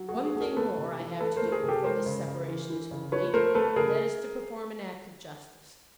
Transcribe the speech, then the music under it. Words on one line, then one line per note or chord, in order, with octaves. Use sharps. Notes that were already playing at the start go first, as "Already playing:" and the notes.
'One thing more I have to do, before this separation is complete, and that is to perform an act of justice.
Already playing: F#3
F#4 G#4
A3
F#4 G#4
A3
G#4 A#4
A3 A4 B4
C3
E3
A3 A4 B4
A#4 C5
A3
G#4 A#4
C3
G4 A4
G#3 A#4 C5
C#3
C#3
E3
E3
C#3
F3 B4 C#5
A3 A#4 C5
A3 A4 B4
C#3 G#4 A#4